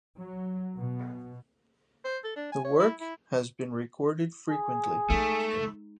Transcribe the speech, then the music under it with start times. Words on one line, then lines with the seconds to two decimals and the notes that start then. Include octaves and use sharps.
The work has been recorded frequently.
0.17 F#3
0.78 B2
2.04 C5
2.24 A4
2.36 D4
2.52 G#5
2.65 C#5
2.80 E4
3.01 E4
4.50 G#4
5.10 G#3 A3 D#4